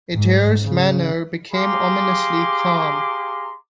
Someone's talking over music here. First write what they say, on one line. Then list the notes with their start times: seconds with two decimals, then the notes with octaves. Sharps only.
Adair's manner became ominously calm.
0.13 G#2
0.62 C#3
1.53 G4 G#4 F5 A#5 C6 D6